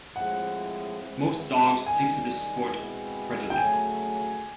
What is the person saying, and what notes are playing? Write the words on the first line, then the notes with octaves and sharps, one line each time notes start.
Most dogs take to this sport readily.
A2 F3 G#3 C4 E4 F#5
E3 G#3 C4 E4
G#2 D#3 G3 G#5
B2 G#3 C4 E4
G5
C#3 F#3 A3 G#5